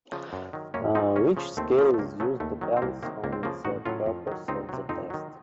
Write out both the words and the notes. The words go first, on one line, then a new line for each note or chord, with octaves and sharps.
Which scale is used depends on the purpose of the test.
C#3 F3
F#2
D#3 F#3
F#2 A#3 C#4
F3 C4 D#4
C#2 A#3 C#4
C#3 F3
D#2 A3 C4
C#3 F3
A3
C#2 A#3
C#3 F#3 A3
D#2 A3
D#3 F#3
C4
C2 A#3
C3 D#3 F#3 A#3
C#2 A#3
C4
C#3 F3 A#3
A1 D#4 F#4
A2 F#3 C#4 F4
F2
D#3 F#3
C#2 C4 D#4
C3 F#3
F2 C4 D#4
D#3 F#3